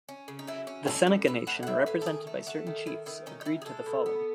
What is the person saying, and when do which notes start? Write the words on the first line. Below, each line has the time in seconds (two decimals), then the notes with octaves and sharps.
The Seneca nation, represented by certain chiefs, agreed to the following.
0.09 C#4
0.28 C#3
0.39 D#4
0.47 F#3 E4
0.67 C#4
0.87 C#4 A4
1.07 A2
1.27 A2 B4
1.47 A2 F#5
1.63 F#5
1.67 A2 E5
1.86 A2 B4
2.02 A4
2.06 D#3 G#4
2.27 A3
2.47 A3 F#4
2.67 D#3
2.87 D#3 E4
3.06 D#3 E4
3.26 C#4 D#4
3.41 D#4
3.45 D#3 E4
3.62 G#4
3.66 G#3 A4
3.86 B2
4.06 B3